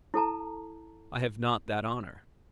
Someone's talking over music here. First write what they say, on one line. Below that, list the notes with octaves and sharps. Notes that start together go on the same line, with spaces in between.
"I have not that honor."
E4 A4 A5 A#5